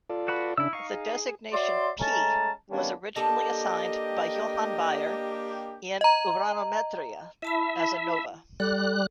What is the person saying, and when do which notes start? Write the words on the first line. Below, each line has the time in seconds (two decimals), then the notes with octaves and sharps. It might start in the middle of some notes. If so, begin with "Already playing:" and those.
The designation "P" was originally assigned by Johann Bayer in "Uranometria" as a nova.
0.10 F4 A4 D5
0.28 F#4 B4 B5
0.57 C#3 D4 E4 E5 E6
0.73 D#4 F5 C#6
0.94 G#4
1.52 F#4 C#5 D5 E5 C6
1.99 G#3 A3 C#4 A5 A#5
2.70 D#3 G3 A#3 B3 C#4 D4
3.16 A#3 D4 G4 A4 D#5
6.01 D#5 A#5
7.42 E4 E5 A5 B5
8.60 G3 A4 F#6